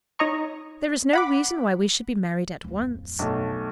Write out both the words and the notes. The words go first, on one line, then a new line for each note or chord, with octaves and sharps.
"There is no reason why we should be married at once."
D#4 C#5 D#5 A#5 C#6
F#5 B5 D6
D1 F2
B1 A3